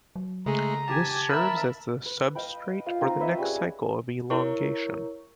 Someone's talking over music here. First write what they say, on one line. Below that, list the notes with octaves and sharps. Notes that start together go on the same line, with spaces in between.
This serves as the substrate for the next cycle of elongation.
F#3
C#3 G#3 A3 G#4 A#5
G4 G#5 A5
A#4 E5 B5
B4
D#5 F5 G5 B5
F4 F5
C4 D#4 F4
B4 C#5 D#5 E5
G3 C#4 G#4 B4
E4 A#4 C#5 C#6